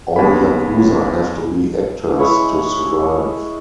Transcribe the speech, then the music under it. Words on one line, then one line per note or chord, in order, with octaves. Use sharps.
All yakuza have to be actors to survive.
D#2 B3 C#4 G#4 B5
G#3 E4 C#5